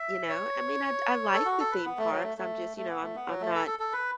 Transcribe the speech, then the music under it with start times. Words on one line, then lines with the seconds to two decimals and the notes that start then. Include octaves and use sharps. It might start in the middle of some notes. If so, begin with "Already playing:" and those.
You know? I mean, I'd I like the theme parks. I'm just, you know I'm I'm not
Already playing: E5
0.29 C#5
1.33 A4
1.45 F#4
1.60 A4
1.72 B4
1.86 B3
1.98 A3
2.11 F#3
2.23 A3
2.38 A3
2.77 A3
2.89 B3
3.02 A3
3.16 B3
3.28 F#3
3.41 A3
3.55 A4
3.67 A4
3.79 A4
3.93 B4